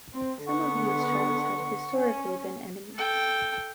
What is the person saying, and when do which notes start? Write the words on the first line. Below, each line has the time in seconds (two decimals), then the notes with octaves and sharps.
Some of these tribes had historically been enemies.
0.13 C4
0.45 D3 B3 F#5 C#6
1.95 C#4
2.95 A4 G5